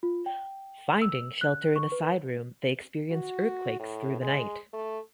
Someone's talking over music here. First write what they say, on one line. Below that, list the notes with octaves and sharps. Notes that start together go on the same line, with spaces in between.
Finding shelter in a side room, they experience earthquakes through the night.
F4
G5
E6
F#6
C#6
B4
F#4
A2
G#3
A3